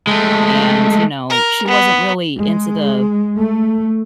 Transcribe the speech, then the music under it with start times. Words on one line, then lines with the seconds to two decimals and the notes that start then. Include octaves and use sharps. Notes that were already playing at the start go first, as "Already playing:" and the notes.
and, you know, she wasn't really into the,
0.07 G#3 A3
1.30 A#4
1.68 B3
2.35 G#3
3.37 A3